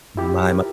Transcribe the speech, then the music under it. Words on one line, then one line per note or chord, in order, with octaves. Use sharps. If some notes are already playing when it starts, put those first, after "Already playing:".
My my
F3 E4 G4
A#4